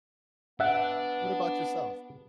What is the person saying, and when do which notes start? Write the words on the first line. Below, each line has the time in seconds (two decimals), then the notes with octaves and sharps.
what about yourself?
0.60 B3 D4 E5 F#5